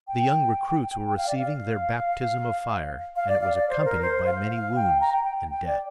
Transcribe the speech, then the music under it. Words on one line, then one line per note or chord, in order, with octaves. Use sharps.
The young recruits were receiving their baptism of fire and it was accompanied by many wounds and death.
G5
G5
F5
D5
F5
F5
D5
F5
D5
C5
A#4
C5
F5
F5
G5
A#5
G5
G5
G5
G5
D5